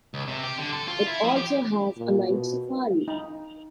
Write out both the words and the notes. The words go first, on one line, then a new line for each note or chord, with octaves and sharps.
It also has a night safari.
C#2
C3
G4
D3
A4
F4
E4
F3
G4
A#2
B2
D#4